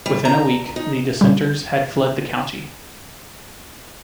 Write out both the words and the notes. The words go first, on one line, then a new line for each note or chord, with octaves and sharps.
Within a week the dissenters had fled the county.
G3
A#5
D#4
B2 G3